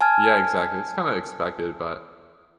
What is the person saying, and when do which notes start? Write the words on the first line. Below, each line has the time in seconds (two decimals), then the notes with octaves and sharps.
Yeah, exactly, it's kind of expected, but
0.01 G#5 A5 F6 G#6